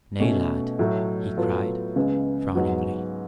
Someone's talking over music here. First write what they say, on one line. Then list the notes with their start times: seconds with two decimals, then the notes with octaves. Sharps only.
"Nay, lad," he cried, frowningly.
0.20 B2 A3 C#4
0.79 A2 F#3 A3
1.37 A2 F#3 B3 F4 A4
1.96 C#2 C#3 G#3 B3
2.54 G#2 F#3 B3 F#4